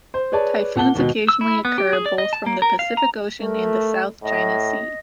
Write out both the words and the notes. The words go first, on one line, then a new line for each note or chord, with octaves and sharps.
Typhoons occasionally occur, both from the Pacific Ocean and the South China Sea.
C5
G#4 B4 C#5 D5 A5
A#2 F#5 A5 G7
D#2 G#2 B2
E6
E4
B3
G4
G#4
D5
D#5
A5
A#3
A#4
F5
A#5
A3 A#4
A2 D#5